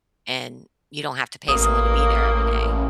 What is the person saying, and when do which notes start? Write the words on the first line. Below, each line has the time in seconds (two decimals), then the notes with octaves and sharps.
and you don't have to pay someone to be there every day.
1.48 A1 A#3 D#6